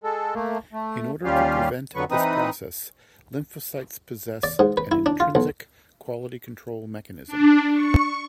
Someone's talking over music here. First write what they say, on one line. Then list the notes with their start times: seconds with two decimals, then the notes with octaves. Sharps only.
In order to prevent this process, lymphocytes possess an intrinsic quality-control mechanism.
0.04 G#3 A4
0.34 A3 A#3
0.73 A3
1.25 D#2 G3 C#4 F4 G4 F5
1.95 F2 D3 F#3 B3 B4 C#6
2.11 E3 C4 D#4 B4 D#6
4.43 D5
4.59 G#2
4.77 B4
4.91 E4
5.06 D4
5.20 F4
5.35 B1
7.27 D4
7.74 C#6